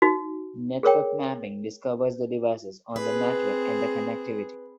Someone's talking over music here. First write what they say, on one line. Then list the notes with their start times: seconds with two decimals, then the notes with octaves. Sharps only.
Network mapping discovers the devices on the network and their connectivity.
0.02 D#4 F#4
0.83 G#4 A#4 C#5 G5
2.96 C4 G#4 B4